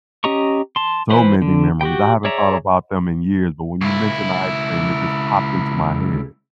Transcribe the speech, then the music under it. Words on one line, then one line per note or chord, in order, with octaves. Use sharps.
so many memories, I haven't thought about them in years, but when you mentioned the ice cream, it just popped into my head.
C#4 G4 D#5 A#5 C#6
A5 C6
E3 E4 B4 C5 B5
D3
F#4 G4 G5
G#4 C#5 D5 E5 A#5
C#2 E4